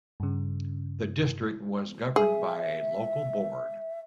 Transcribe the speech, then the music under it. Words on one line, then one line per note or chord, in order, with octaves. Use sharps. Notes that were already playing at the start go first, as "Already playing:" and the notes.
The district was governed by a local board.
G2 C#3
G#4 E5